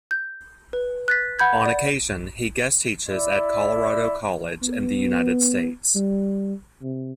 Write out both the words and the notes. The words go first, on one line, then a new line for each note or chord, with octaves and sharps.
On occasion, he guest-teaches at Colorado College in the United States.
G6
B4
F#6 A6 B6
F#5 B5 G6 G#6
D5
E4 D5
B3
G3
C3